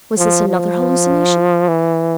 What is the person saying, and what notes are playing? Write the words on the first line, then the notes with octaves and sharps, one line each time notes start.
Was this another hallucination?
F3
F3
E3